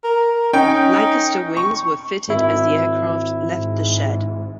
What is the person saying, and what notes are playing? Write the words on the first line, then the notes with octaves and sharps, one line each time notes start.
Lancaster wings were fitted as the aircraft left the shed.
A#4
C#4 D#4 G5
C#6
G#1 E4
G#2